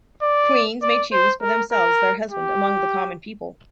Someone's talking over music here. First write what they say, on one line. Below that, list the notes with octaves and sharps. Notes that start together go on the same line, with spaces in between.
Queens may choose for themselves their husband among the common people.
D5
D5
C5
A#4
A#4
G4